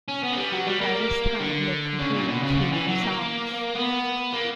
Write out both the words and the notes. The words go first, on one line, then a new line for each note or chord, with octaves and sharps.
By this time he had completed two new songs.
C#4
B3
A#3
G3
F#3
G3
A#3
D3
C#3
A#2
B2
C#3
D3
E3
F#3
A#3
B3
A#3